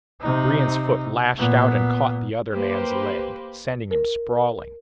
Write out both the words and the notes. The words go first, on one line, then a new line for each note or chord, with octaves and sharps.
Brion's foot lashed out and caught the other man's leg, sending him sprawling.
C3 D#4
A#2 B3
A#3 G4 B4 C5
A#4